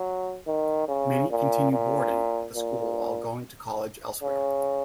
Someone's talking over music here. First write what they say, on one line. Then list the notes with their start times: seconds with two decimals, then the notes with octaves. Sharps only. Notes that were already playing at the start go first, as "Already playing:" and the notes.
Many continue boarding at the school while going to college elsewhere.
Already playing: F#3
0.47 D#3
0.88 C#3
1.31 A#2
1.72 A#2
2.55 A#2
4.22 C#3